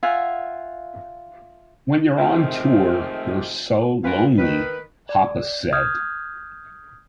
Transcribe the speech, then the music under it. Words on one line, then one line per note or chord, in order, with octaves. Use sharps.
"When you're on tour, you're so lonely," Hoppus said.
F4 E5 F#5 G#5
C3 D#3 F3 G#3 A3 C4
D2 G#3 F4 A#4 B4 F5
D#3 B4
D5
D#6 F6 G6 G#6